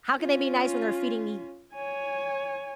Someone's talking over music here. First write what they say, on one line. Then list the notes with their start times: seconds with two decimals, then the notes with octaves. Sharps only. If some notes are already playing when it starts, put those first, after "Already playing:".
How can they be nice when they're feeding me
0.20 C#4 F4
1.74 C#5 G#5